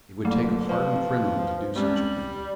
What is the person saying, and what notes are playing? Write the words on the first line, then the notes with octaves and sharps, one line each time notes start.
It would take a hardened criminal to do such a thing.
D3 F#3 A3 A#3
F3 B4
G3 G#3 C4 C#4
F#7